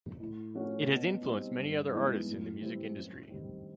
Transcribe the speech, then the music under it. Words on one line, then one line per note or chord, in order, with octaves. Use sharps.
It has influenced many other artists in the music industry.
A2
F3 A3 C#4 F#4
B2
G3 C4 D#4
G2
E3 G#3 B3 D#4
A2
E3 G3 C4
F#2
D#3 G3 C4